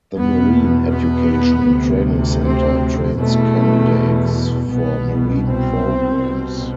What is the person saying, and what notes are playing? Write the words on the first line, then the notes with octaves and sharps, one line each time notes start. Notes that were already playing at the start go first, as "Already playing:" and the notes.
The Marine Education and Training Center trains candidates for marine programs.
E2 B2 B3
B3
D2 C3
C4
E2 B2 A3
C2 B2 B3
C4
C2 B2